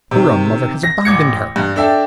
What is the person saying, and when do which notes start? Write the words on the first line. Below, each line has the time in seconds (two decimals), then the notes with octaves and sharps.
Her own mother has abandoned her.
0.11 C3 D#3
0.83 A#6
1.05 A1 D6 G#6 C#7
1.56 G2
1.76 D4 A4 E5 G5